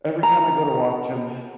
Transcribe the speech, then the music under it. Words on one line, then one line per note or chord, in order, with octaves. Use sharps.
every time I go to watch 'em,
A#5